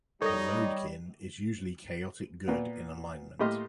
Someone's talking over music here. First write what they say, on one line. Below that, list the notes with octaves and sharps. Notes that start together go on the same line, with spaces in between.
A voadkyn is usually chaotic good in alignment.
G3 D#4 A4 A#4 C#5 D#5
A#2 B3
A2 A#3 G4 D#5 C6 F6